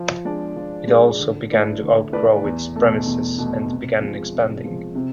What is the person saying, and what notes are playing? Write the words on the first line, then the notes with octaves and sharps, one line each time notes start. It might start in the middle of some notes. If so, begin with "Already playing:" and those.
It also began to outgrow its premises and began expanding.
Already playing: F3
G#3 D4 G#4 D5
F3
G#3 D4 G#4 D5
D3
A3 E4 B4 D5
D3
A3 E4 B4 D5
E2
B2 A3
E2
B2 A3
C3
F3 G#3
C3
F3 G#3
C3